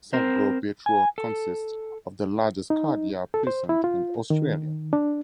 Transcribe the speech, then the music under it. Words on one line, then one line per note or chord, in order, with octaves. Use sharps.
Sacbrough Beach Road consists of the largest car yard precinct in Australia.
C4 A#4 C5
G#5
A4
D#4
A4
C5
E4
F4
D#3
D4